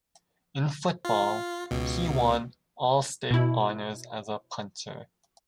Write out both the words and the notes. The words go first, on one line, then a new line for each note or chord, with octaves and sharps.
In football, he won All-State honors as a punter.
F4
C#2 B2
B2 E4